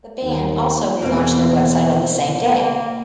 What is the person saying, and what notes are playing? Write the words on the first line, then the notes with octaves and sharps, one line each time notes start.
The band also relaunched their website on the same day.
D#2
E2 B2 A#3 C4
A#3